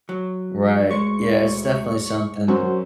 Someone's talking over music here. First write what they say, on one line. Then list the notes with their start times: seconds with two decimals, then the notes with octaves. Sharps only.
Right. Yeah. It's definitely something
0.09 F#3
0.91 D2 G#3 C#6
2.48 F#2 F#4 C5